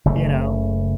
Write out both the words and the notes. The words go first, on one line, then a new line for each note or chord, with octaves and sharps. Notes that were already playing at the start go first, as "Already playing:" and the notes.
you know.
F#1 C#3 A3